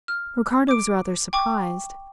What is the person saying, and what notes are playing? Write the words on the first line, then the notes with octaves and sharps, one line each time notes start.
Ricardo was rather surprised.
F6
D6 D7
G5 C#6 D6